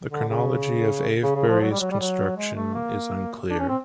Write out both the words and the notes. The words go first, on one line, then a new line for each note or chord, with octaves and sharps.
The chronology of Avebury's construction is unclear.
D3
C#3
C#3
C#3
F3
F#3
G3
F#3
G3
F#3
G#3
A3
A#3
D4
C#4
C4